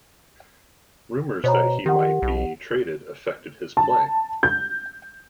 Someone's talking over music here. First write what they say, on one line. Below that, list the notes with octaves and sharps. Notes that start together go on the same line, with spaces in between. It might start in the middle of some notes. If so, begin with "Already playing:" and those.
Rumors that he might be traded affected his play.
B2 C5 C#5 A#5
D#3 G4 F#5
B1
A5
G6